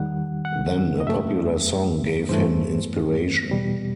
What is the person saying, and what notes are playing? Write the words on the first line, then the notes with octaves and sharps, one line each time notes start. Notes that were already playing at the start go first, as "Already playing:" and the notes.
Then a popular song gave him inspiration.
Already playing: E2 D#3 G3 F#5
F#5
D#5
F#2 F#3 A3 E5
G2 E3 A3 C5
E2 B2 G3